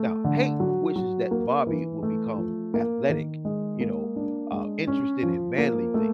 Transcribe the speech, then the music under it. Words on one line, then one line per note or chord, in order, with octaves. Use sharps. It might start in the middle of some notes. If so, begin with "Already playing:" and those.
Now, Hank wishes that Bobby will become athletic, you know, uh, interested in manly things,
Already playing: A3
D3
F#3
F#3
A#3
E3
A3
F3
A#3
D#3
G#3
A#3
D4
G#3
C#4
F3
A#3
A3